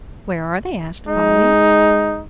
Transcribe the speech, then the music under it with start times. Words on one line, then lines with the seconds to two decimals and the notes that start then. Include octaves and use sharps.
"Where are they!" asked Polly.
1.08 G#3 D#4